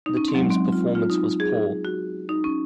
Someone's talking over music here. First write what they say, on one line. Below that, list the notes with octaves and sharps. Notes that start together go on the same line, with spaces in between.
The team's performance was poor.
D#4
C#4
C4
F#3
G#3
C4
F4
F4
D#4
G#4
F#4
D#4
C#4